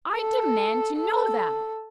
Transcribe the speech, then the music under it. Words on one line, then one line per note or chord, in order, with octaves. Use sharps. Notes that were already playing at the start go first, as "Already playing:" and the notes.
"I demand to know them!"
A4
A4